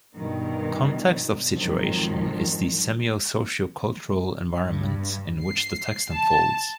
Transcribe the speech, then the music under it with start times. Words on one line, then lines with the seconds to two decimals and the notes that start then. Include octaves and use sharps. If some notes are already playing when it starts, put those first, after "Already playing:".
Context of situation is the semio-socio-cultural environment in which the text unfolds.
0.15 G2 B2 D#3
1.53 F2 G#2 D#3 F3 F#3
4.62 G2
5.42 C7
6.14 A5